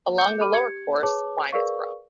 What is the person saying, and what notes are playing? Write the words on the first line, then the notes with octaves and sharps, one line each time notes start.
Along the lower course, wine is grown.
D6 G6 C#7
A4 B5 D6 F6 D#7
G4 G#6 C#7
G#4 B4 C#5 A5 D6
G#4 A#4 B4 D5 F5 C#6